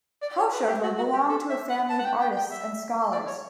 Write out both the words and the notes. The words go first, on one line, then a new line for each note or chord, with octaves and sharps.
Haushofer belonged to a family of artists and scholars.
D5
C#5
B4
G4
F#4
F#4
G4
A4
E5
F#5
A5
F#5
G5
G5
G5
E5
D5
C#5